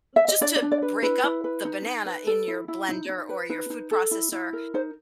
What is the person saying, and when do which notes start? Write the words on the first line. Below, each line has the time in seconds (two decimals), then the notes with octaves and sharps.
just to break up the banana in your blender or your food processor.
0.16 E5
0.28 D#5
0.41 D4 D5
0.56 D5
0.62 D4
0.72 D5
0.82 B4
1.02 E4 B4
1.24 E4
1.44 B4
1.65 D#4
1.86 D#4
2.06 B4
2.27 A4
2.48 E4
2.68 E4
2.89 D#4
3.09 D#4
3.29 B4
3.49 D#4 B4
3.70 D#4
3.91 A4
4.11 E4
4.32 E4
4.53 A#4
4.74 D#4 C5